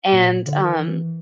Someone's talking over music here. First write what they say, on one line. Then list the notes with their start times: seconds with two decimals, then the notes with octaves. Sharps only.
and, um,
0.12 A#2
0.46 D3
0.63 D#3
0.79 E3